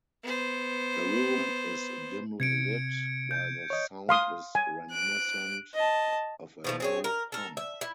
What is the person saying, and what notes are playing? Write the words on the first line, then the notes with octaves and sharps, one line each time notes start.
The room is dimly lit, while the sound is reminiscent of a low hum.
B3 C5
C3 G#6 C#7 D7
G6
C#5 D#5
F5 C6 D#6
G#5
F#6 D7
D#5 A5
B2 F3 A3
C4 G#4 C#5
A#4
A4 A#4
E5
E4